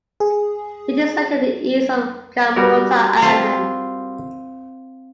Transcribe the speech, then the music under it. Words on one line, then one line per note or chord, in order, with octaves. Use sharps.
It is located east of Kamorta island.
G#4
G3 F#4 A#4
C4 F4